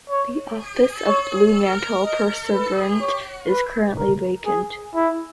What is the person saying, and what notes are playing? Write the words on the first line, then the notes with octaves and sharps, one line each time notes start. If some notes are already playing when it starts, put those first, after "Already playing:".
The office of Bluemantle Pursuivant is currently vacant.
C#5
C#5
D#5
B4
C#5
B4
A#4
G#4
E4